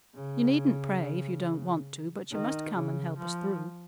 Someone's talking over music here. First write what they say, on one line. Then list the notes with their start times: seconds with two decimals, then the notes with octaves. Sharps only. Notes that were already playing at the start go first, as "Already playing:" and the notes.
"You needn't pray if you don't want to, but you must come and help us through."
0.15 C#3
2.31 D#3
2.74 C#3
3.17 F3